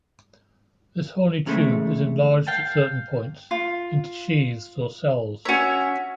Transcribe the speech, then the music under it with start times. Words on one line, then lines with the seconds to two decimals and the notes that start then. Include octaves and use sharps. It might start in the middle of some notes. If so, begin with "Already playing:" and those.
This horny tube is enlarged at certain points into sheaths or cells.
1.46 E2 C#3 G#3 A3
2.47 F5 G5 A5
3.51 F4
5.45 C#4 F#4 C#5 E5